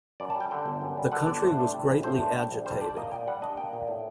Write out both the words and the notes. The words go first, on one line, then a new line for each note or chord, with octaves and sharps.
The country was greatly agitated.
F#2 D5
A5
G3 G5
D3 G5
G1
F#2
G3
D3 F#5
G1 D5
A2 C5
D4
G3
A#1
A2 C5
D4
G3
A#1
G3 C5
D4 D5
A#3 D#5
A#2 G5
G3 F#5
D4 D#5
A#3 G5
A#2
A2